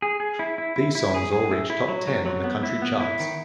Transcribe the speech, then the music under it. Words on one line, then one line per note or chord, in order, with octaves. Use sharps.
These songs all reached Top Ten on the country charts.
G#4
G#4
E4
E4
E4
E4
G#4
G#4
E4
E4
F#3
F#3
F#3
B3
E4
B3
E4
D#3